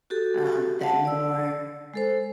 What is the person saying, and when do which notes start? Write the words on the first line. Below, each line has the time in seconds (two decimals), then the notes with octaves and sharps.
uh, them more
0.10 F#4 G4 A4
0.81 F#5 A5
1.05 D5 E6
1.94 G#3 A4 C5